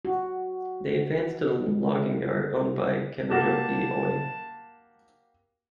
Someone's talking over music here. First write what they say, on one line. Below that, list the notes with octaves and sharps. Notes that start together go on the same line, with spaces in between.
They advanced to a logging yard owned by Kemijoki Oy.
F#4
G#3
A#3 F#4 G4 A5